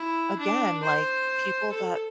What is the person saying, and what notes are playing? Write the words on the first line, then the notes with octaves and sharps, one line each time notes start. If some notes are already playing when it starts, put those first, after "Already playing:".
Again, like, people that
Already playing: E4
D4
C5
A4